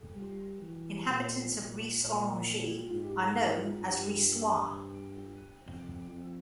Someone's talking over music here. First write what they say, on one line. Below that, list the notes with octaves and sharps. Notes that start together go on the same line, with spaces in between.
Inhabitants of Ris-Orangis are known as "Rissois".
G3
E3
A#2
A#2
A#2
G#2
G2
F2
F2